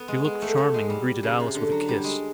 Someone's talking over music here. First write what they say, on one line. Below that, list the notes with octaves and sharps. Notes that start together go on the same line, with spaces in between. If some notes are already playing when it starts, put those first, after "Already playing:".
She looked charming, and greeted Alice with a kiss.
Already playing: B3
G#3
G#3
A3
A3
G#3
G3
C#3
C3
D3
F#3
G3
G#3